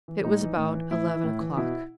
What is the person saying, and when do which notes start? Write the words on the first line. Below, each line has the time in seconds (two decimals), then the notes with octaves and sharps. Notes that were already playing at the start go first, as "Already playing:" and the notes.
It was about eleven o'clock.
0.08 E3
0.24 A2 D#4
0.41 E3
0.57 A2
0.73 E3
0.91 A2 E4
1.07 E3
1.24 A2
1.40 E3
1.57 B2 E4